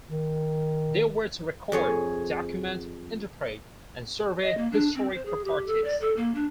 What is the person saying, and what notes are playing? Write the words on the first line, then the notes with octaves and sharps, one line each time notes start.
They were to record, document, interpret, and survey historic properties.
D#3
F2 G#4 C#5
D#5
A#3
D4
C4
C5
G#4
G4
A4
D5
A4
A#3
D4